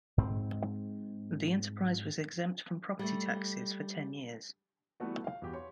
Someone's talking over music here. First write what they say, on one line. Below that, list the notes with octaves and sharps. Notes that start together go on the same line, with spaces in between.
The enterprise was exempt from property taxes for ten years.
G#2 C4
G3 A3
E3 G3 A3 B3 F#4
F5
E2 F#4 G4
C#5 C6